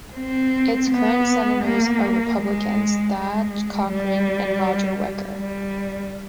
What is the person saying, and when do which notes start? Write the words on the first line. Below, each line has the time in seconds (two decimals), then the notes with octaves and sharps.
Its current senators are Republicans Thad Cochran and Roger Wicker.
0.16 C4
0.90 B3
1.64 A#3
2.39 G#3
3.13 G#3
3.88 G3
5.37 G3